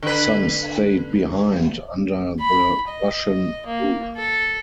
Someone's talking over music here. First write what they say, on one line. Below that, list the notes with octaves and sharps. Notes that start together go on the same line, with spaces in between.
Some stayed behind under the Russian rule.
D3 B4
B5
D#5
A#3
A4